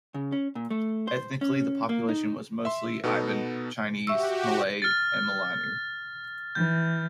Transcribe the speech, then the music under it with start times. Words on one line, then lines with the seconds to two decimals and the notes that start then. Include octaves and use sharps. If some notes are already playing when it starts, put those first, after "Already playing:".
Ethnically, the population was mostly Iban, Chinese, Malay, and Melanau.
0.14 C#3
0.32 C#4
0.55 A#2
0.70 A3
1.08 C5
1.41 C#4
1.89 A#3
2.09 D#4
2.65 E5 C6
3.04 B2 B3 D#4 A4
4.07 F#4 G4 E5 C#6 E6
4.82 F6 A6
6.55 E3 G6